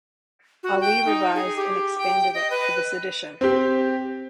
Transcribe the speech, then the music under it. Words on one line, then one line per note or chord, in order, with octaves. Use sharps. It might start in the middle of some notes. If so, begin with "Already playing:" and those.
Ali revised and expanded it for this edition.
F#4
G5
D#4
G#4
G4
G5
D#5
B4
C4 G4